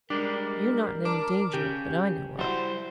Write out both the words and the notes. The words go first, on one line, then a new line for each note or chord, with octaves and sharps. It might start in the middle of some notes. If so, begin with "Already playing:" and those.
"You're not in any danger that I know of."
G3 G#3 D4 A#4
D4 D6
C#3 G4
F#3 G3 E4 C5